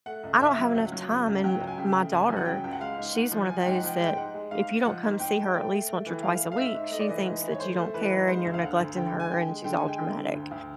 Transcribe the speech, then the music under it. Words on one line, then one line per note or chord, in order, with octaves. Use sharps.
"I don't have enough time." and my daughter, she's one of those that if you don't come see her at least once or twice a week, she thinks that you don't care, and you're neglecting her, and she's all dramatic.
A3 F#5
C#2
C#2 E5
F#3
C#2 F#5
F#3
C#3
C#2
F#3 G5
C#2
G#5
C#3 G5
A3
C#2 G#5
F#3
F#5
C#3 G5
C#2 G5
F#5
G#3 F5
G#2
G#2 F#5
F3
F3 G#5
G#2 G5
F#5
F3 G5
G#3
G5
G#2 F#5
G#3
G#2 F5
G#2
F3 F#5
G#2
G#2 G5
G#3
A3 G5
A3
A3
E3
A3 F5
A3
F5
G#2 E5
G#2
A3 D#5
D5
E3 D#5
G#2
E3
C#5
A3 C5
A3
E3 B4
G#2
G#3 C5
D2
F5
D3 F#5
D2
D3 G5
G#3
G#5
D3 G5
G#3
D3 G5
G#5
G#3
G5
D3
D3
D2
D2